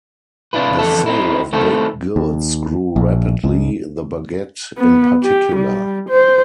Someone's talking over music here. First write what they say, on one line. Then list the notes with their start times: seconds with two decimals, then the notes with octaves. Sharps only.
The sale of baked goods grew rapidly, the baguette in particular.
0.53 C3 D4 E4 F4 B4
0.79 F2 D3 E3 E4 A4
1.06 C4 D#4 E4
1.53 D#3 A3 C4 E4 A4
2.16 D#2
2.96 A#1
3.44 C#2
4.78 B3
5.24 G4
5.56 G3
6.09 C5